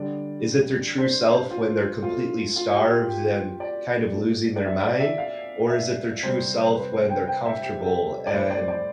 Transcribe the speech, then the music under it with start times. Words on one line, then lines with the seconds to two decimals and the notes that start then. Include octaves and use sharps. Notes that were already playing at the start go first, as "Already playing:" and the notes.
is it their true self when they're completely starved and kind of losing their mind? Or is it their true self when they're comfortable and
Already playing: D3 G3 D5
0.98 C5
1.51 F4
2.03 B2 A3 F4
2.56 F4
2.74 G4
2.90 F4
3.08 G4
3.60 D5
4.13 B2 A3
4.56 D5
4.66 E5
4.83 D5
5.00 E5
5.18 F5
5.70 E5
6.23 C3 G3 C5
6.75 B4
6.93 C5
7.10 G5
7.27 G5
7.46 E5
7.63 G4
7.81 A4
8.27 D5
8.33 A2 G3 C5
8.50 D5
8.68 D5